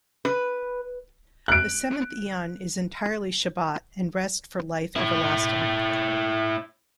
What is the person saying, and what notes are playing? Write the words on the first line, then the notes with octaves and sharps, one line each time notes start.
The seventh eon is entirely Shabbat and rest for life everlasting.
B4
F#6 D7
E4 C#5